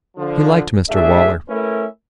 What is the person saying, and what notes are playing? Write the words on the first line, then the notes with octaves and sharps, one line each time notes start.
He liked Mr Waller.
D3 F3
F#1 A3 D4 G#4 E5
A3 C#4 E4 A#4 B4 E5